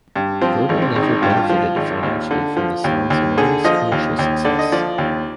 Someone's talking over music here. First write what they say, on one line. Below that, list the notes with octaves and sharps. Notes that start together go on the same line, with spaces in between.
Verdal never benefited financially from the song's enormous commercial success.
G2
F3 C4
G#1
C4
G#1
D#4
G2 F4
G4
F4
F3
G#1
D#2
D3
F3
D#2
D#2
D3 G#4
F3 D#5
D#2
D#2
D3 D5
D#5
F3 D5
D#2